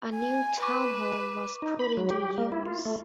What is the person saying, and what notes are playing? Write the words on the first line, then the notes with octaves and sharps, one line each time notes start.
A new town hall was put into use.
G#5
B4 C#6 D6
D#4
B5
F#3
G4
A#3
E4
F4
A3